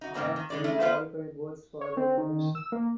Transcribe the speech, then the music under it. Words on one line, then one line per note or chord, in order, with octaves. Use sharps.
All three qualified boats for the event.
D#4 F#4
G#2 C#3 A#3 C4 D#4
D#3
D3 G#3 D5
G#3 A3 C#4
B3 F4 B4 C5 F5 F#5
C#5
C4
D#3
E6
A#3